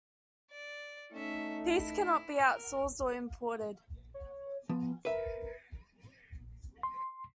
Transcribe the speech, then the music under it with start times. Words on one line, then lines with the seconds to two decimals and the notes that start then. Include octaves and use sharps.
Peace cannot be outsourced or imported.
0.51 D5
1.12 A3 C#4 D#4 E5
1.75 E4
2.53 A#4
4.14 C#5
4.69 F3 B3
5.05 A#4 B4 E5
6.83 C6